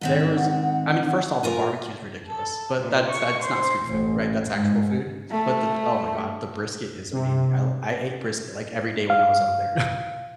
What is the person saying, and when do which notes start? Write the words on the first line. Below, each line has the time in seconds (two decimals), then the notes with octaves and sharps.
there was I mean, first off, the barbecue is ridiculous, but that's that's not street food, right? That's actual food, but the Oh my god, the brisket is amazing. I l I ate brisket, like, every day when I was over there.
0.01 G#2 D#3 C4 F#5
1.43 F4 A#4 G#5
2.29 A4
2.79 A#2
3.09 C#6
3.44 C5
3.84 A1
4.53 G#2
5.31 A3
7.13 C3
9.10 F5